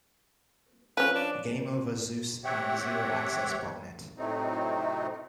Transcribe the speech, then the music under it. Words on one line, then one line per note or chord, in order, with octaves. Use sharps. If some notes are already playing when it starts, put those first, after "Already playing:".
Gameover ZeuS and ZeroAccess botnet.
F3 C#4 B4
D4
C4 G4 C#5 E5 F#5 G5
A2 C3 F#3 A3 C4 D#4